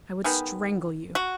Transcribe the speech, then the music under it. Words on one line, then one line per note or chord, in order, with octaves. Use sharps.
"I would strangle you."
D#3 G#3 B3
F#4